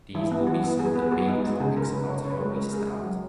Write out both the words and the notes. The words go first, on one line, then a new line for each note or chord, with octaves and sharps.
These will be some of the main topics about how we start.
E3 E4
B3
E3 F#4
B3
B3 G#4
B3 B4
G#4
B3 F#4
B3 D#4
G#3 F#4
C#3 G#4
C#3 A#4
C#3 B4
C#3 C#5
C#3 C#5
B4
G#3
A#4
G#3
A#4
C#4 G#4
C#4
F#4
F#3